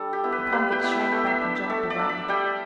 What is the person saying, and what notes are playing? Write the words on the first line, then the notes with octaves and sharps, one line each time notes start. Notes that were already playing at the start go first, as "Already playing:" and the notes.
The convict shrank back and jumped away.
Already playing: G3 D4 A4
G4
B3 E4
B4
G3 B4
G5
B3 E4
E5
A3 G5
E5
D4
E5
A3 A4
D5
D4
E5
G3 G5